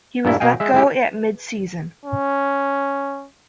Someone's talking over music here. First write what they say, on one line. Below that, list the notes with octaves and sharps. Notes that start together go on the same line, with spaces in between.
He was let go at mid season.
G2 A#2 E4
B2 D#5 F5 G5 G#5
G#3 E5
G#3 E4 G4
C#4